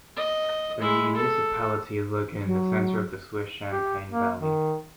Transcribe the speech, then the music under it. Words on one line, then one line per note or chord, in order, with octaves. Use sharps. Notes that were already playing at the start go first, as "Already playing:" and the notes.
The municipality is located in the center of the Swiss Champagne valley.
D#5
G#3 E4
A4
F#3
G4
A#3
D#3